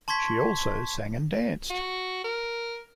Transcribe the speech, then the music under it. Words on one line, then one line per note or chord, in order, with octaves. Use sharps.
She also sang and danced.
A5 C6 C#6 G#6 B6
F#4
A#4